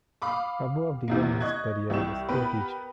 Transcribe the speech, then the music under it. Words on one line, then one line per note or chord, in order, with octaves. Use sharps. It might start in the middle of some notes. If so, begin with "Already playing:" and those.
Kabua began his career as a school teacher.
F5 B5 D6 D#6
E2 C3 A#3
D#5 C#6 F#6 G#6
C2 G4 C#6 E7
B3 G4 A#4 B4